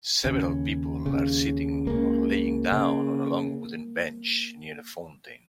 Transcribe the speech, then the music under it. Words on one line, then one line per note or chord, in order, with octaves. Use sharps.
Several people are sitting or laying down on a long wooden bench near a fountain.
D#2 C#3 C#4
D#2 C#3
C#2 C#3 A#3
C#3